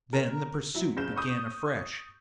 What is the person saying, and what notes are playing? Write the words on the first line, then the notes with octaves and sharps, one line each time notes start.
Then the pursuit began afresh.
A#4
F#3 E4
F#1 C#3 G6 E7
C#6 D#6 G6